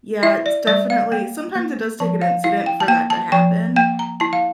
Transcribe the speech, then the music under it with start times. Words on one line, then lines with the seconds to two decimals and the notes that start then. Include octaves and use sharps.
Yeah, it's definitely sometimes it does take an incident for that to happen,
0.23 E4 E5
0.46 D5
0.67 G3 D5
0.90 F5
1.12 A#3 G5
1.55 A#3
2.00 F3 A5
2.22 F5
2.44 E4 F5
2.66 G5
2.80 A5
2.88 A#3 G5
3.10 A5
3.32 F3 G5
3.76 A#3 G5
3.99 A#5
4.20 E4 A5
4.33 F5